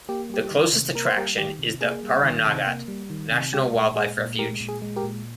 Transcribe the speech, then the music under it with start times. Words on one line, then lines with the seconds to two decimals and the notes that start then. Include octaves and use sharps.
The closest attraction is the Pahranagat National Wildlife Refuge.
0.09 A#3 G4
0.30 G3 G4
0.51 D#3
0.73 C3
0.95 A#3 A#4
1.06 C5
1.16 G3 G4 A#4
1.38 D#3 G4
1.59 C3
1.81 A#3 G#4
2.03 G3
2.23 D#3
2.46 C3
2.67 A#3
2.88 G3
3.10 D#3
3.32 C3
3.53 G#3 G4
3.75 A#2
3.96 G#3 G#4
4.18 A#2
4.39 G#3 G4 A#4
4.61 A#2
4.68 G#4
4.82 G#3
4.96 G4 A#4
5.03 A#2